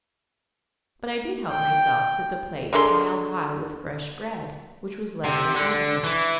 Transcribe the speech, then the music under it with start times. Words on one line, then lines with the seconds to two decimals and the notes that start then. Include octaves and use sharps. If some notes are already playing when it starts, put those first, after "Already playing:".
But I did help myself to the plate piled high with fresh bread which was left in front of me.
1.50 G5
2.73 D3 G#3 B4 C6
5.24 C3
5.55 D3
6.04 E3